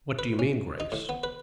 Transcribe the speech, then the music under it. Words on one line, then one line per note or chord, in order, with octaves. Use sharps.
"What do you mean, Grace?"
B4
C#4
D#4
A2
B3
B4